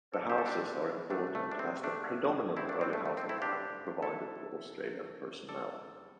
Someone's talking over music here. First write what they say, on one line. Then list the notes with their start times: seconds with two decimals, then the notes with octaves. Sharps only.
The houses are important as the predominant early housing type provided for Australian personnel.
0.13 C3 A4 D5
0.29 C2 G4 C5
0.38 A4
0.45 E3 D4 G4
0.62 E3
0.78 C3
0.95 E3
1.10 E3 A3 D4
1.27 C2
1.35 A3
1.44 E3
1.51 D4
1.59 C3 C4
1.76 C3
1.83 A3 D4
1.92 C3
2.08 G2
2.24 G2
2.41 G2
2.56 A3 C4 E4
2.69 G2 A3 D4
2.81 C4
2.89 D3 A3
3.05 D3 A3
3.17 C4
3.22 A3
3.29 C4 E4
3.38 D3 D4 G4
3.54 G2
3.70 G2
3.87 A3
4.02 C3 E4 A4
4.19 A3
4.36 C3
4.52 E2
4.67 E2
4.84 E2
5.00 A3
5.16 E2
5.32 E2
5.48 C3 A4 D5
5.65 E2
5.81 E2
5.97 G3